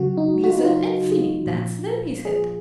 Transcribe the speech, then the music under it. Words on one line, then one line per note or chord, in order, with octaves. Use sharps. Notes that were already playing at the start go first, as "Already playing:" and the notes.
"Blizzard and Finney, that's them," he said.
Already playing: C#3 F#3 F#4
D#4
F#4
F4
D#4
F4
A#2
F3
G#4